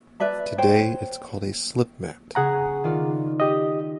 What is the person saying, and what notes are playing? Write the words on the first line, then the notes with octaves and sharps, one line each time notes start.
Today it's called a slipmat.
B4 D5 E5 A5
C5 C#5 G5
C#3 G#4 F#5 G#5 A#5 C#6
D#3 F4 D5
G4 D#5